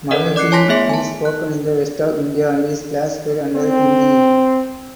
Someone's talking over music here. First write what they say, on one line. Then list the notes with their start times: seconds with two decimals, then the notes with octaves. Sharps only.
Magahi is spoken in the west of India and is classified under Hindi.
0.11 C#4 A4 A#4 D#5 F#5
0.36 D5 D6 F#6 C7 C#7
0.52 C#5 G#5 A5 C6 A#6 B6
0.68 A3 B3 G#4 E5 B6
0.89 G#5 A5
1.25 F#6
3.56 C4